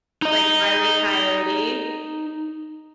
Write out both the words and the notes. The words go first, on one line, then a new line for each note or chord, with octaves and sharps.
Like, Wile E. Coyote?
D#4 D#5